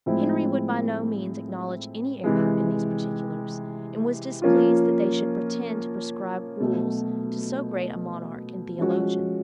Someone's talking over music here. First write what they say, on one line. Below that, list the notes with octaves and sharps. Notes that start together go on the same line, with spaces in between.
Henry would by no means acknowledge any error in these particulars; and was displeased that they should pretend to prescribe rules to so great a monarch and theologian.
A2 F3 G#3 C4 E4
C3 E3 G#3
F3 A#3 C#4 F4
B2 F#3 A3
F3 G#3 C#4 F#4